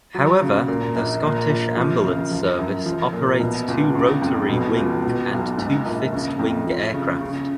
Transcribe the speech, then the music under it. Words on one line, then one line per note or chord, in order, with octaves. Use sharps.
However the Scottish Ambulance Service operates two rotary wing and two fixed wing aircraft.
F#3
C#3
A#2
A#1
A#2
A#1
F3
C#3
F3
F#2
F3
A#2
B2
C#2
C#3
F2
B2
C#2
B2
B1
G#2
A#1
C#3
F2
F3
C#3
C#3